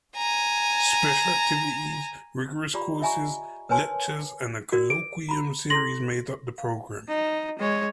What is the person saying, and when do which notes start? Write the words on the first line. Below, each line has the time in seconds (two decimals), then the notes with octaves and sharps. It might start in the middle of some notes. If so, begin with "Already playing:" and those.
Special activities, rigorous courses, lectures and a colloquium series made up the program.
0.17 G#5 A#5
2.74 F4 G4 D5 A#5 B5
3.01 D#5 E5 G#5 A#5 C#6
3.69 A#4 B4 C#5 G#5 A5 C6
4.72 F#4 A#4 D5
4.90 D6 D7
5.29 A#5 B5
5.70 E4 A4 C6 A#6 F#7
6.58 F5
7.08 D#4
7.59 G#3 C#5